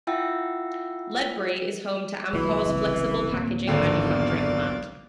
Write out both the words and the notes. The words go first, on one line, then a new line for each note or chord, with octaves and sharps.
Ledbury is home to Amcor's flexible-packaging manufacturing plant.
E4 F4 E5 F#5 G5 E6
C2 A#2 E3 F#3
F#1 C2
D1 A#3 C4
G#1 D3 D5 F5 G5
B1 E2 A#2